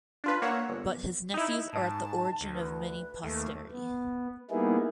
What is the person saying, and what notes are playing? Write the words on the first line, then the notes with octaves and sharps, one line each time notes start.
But his nephews are at the origin of many posterity.
D4 F4 B4
A#3 C#5 F#5 E6
G1
D#4 E4
G#2 A5
D2
B4
D#2 A3
B3
G3 A#3 B3 D#4 E4 G#4